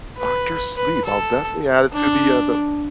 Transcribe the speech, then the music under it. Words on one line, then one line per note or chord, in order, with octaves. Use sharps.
Doctor Sleep, I'll definitely add it to the, uh, the
B4
B4
A4
D4